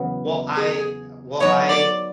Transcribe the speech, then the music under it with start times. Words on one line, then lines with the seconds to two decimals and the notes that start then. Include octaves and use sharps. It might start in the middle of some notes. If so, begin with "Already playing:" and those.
Well, I uh, well, I
Already playing: E2 C#3 F#3 B3
0.55 G#4
1.40 F#3 B3 D#4 C#5
1.69 D5